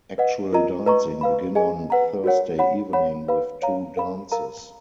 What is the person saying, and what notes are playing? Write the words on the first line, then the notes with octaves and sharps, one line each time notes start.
Actual dancing begin on Thursday evening with two dances.
B4 D#5 F#5
F4 A#4 D#5 A#5
B4 D#5 A#5 C#6
B4 F5 B5
G#4 D#5 G#5
B4 F#5 A#5
F#4 A#4 C#5 F#5
C#5 F#5 B5
C#5 F#5 B5
B4 F5 B5
C#5 F5 A#5
A#4 F5 B5
A#4 F5 A#5